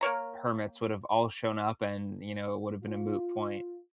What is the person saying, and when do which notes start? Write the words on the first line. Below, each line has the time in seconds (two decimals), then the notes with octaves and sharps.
hermits would have all shown up and, you know, it would have been a moot point.
0.01 A#3 A#4 C#5 A#5
2.84 F4